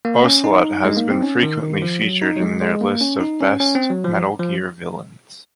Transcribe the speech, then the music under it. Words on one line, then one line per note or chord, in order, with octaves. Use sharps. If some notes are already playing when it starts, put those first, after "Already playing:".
Ocelot has been frequently featured in the lists of best "Metal Gear" villains.
A#3
C#4
D#4
G#3
A#3
C4
C#4
D#3
D#3
F3
F#3
D#4
F#3
G#3
G#3
A#3
C#4
D#4
C#4
C#4
C4
F#3
F3
F3